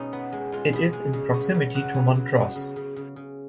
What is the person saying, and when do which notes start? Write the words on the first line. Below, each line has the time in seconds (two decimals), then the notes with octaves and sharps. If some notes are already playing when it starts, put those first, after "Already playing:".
It is in proximity to Montrose.
Already playing: B2 G#3 C#4 D#4 G#4
0.13 B3
0.33 G#3
0.52 G#3 F4
0.73 B2
0.93 G#3
1.13 C#3
1.34 B3
1.54 C#3
1.75 C#3 F#4
1.94 B3
2.15 F#3
2.35 B3
2.56 C#3
2.76 C#3
2.96 C#3
3.16 C#3